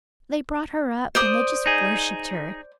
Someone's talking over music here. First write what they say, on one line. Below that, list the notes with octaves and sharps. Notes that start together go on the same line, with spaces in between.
They brought her up and they just worshipped her.
C5 D5 D#6
D#4 G#4